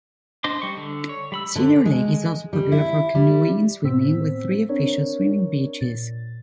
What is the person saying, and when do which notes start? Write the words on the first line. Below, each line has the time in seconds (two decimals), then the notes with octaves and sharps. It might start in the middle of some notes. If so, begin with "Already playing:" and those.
Cedar Lake is also popular for canoeing and swimming, with three official swimming beaches.
0.44 D4 C5 D#5 C6 D6
0.62 G3 C#6
0.77 D3
1.09 C#5
1.32 G3 B5 E6
1.56 D3
1.86 G#3
2.53 G3
2.72 E4
3.15 G3
3.84 A2 B3 C4 C5 E6 B6
4.69 C4 D4 A#4 C#5 D5
5.81 A#2 A6